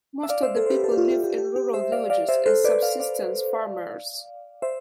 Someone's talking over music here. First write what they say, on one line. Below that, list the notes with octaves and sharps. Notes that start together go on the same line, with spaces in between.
Most of the people live in rural villages as subsistence farmers.
E5
D5 F5
C5 E5
A4 C5
C5
G4 B4
A4 C5
G4
F4
G4
G4
G4
G4
C5 E5
D5 F5
D5 F5
C5 E5
A4 C5
B4 D5
D5 F5
D5 F5
C5 E5